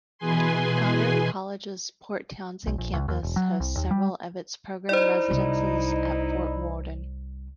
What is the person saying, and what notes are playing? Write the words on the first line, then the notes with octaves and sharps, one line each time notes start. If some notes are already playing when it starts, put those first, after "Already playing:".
Goddard College's Port Townsend campus hosts several of its program residencies at Fort Worden.
B2 E3 G#4 B4 G#5 C6
B1
A#1
C#2
D#2
E1
F#3
C2
D#2
G3
D#4 E4 C5 D5
C2